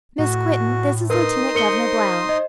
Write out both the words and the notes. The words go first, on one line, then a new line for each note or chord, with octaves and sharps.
Miss Quinton, this is Lieutenant-Governor Blount.
A2 F#4
D#4 A#4 B4 C6 D#6
A#4 C5 C#7 G7
D#5